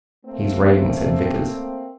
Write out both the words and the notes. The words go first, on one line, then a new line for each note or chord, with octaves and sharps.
"He's raving," said Vickers.
A3 A#3 C4